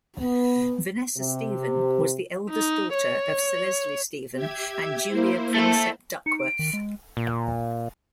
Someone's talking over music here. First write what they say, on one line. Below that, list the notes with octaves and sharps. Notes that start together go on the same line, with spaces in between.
Vanessa Stephen was the eldest daughter of Sir Leslie Stephen and Julia Prinsep Duckworth.
B3
C3
D#4
C#5
G4 E5 G#6
A#3 E4 C5
A3 A4
D#4 C#7
D7
D#3
G#3
A#2